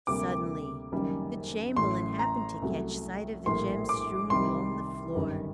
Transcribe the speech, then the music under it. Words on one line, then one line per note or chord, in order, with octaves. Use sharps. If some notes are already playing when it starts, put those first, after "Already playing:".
Suddenly the Chamberlain happened to catch sight of the gems strewn along the floor.
D2 C3 G3 A#3 D6
F#1 F#2 D#3 G3 A#3
A1 A2 A3 C6
A#5
C2 C3 F#3 A3
A#1 A2 G3 A#3 C6
D6
C2 C3 D#3 G3 C6
G1 F#2 D#3 G3